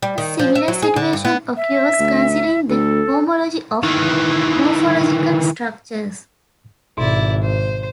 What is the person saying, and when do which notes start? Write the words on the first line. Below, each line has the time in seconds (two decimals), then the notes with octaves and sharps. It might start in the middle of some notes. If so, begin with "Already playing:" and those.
A similar situation occurs considering the homology of morphological structures.
0.02 G3
0.18 D#3
0.39 F3
0.55 E5
0.68 F#3
0.82 G#4
0.96 D3
1.13 G2
1.25 B3
1.57 E5
1.99 D2
2.69 D2 A4
3.83 D#3 E3
6.98 G#1 B2 E4 D5
7.42 C5